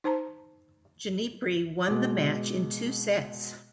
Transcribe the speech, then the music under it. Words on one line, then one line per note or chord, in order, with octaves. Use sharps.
Ginepri won the match in two sets.
D#4 C5 A5 A#5
B2 G#3 D6